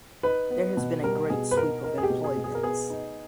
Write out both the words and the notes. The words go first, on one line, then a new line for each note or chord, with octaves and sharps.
There has been a great sweep of employments.
D#4 B4
B3
B2
G3 A#4
B2 G#4
B4
D#4 A#4
D#4 A#4
G#4
G4
B2
G#4
B2
G#4
A#4
B3 G#4
D#4